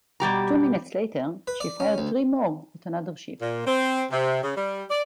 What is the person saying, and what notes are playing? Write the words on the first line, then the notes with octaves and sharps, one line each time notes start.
Two minutes later, she fired three more at another ship.
B2 G3 G4 A#5
B4
D5
C#4
D2
A#2
C4
C3
C#3
G3
D5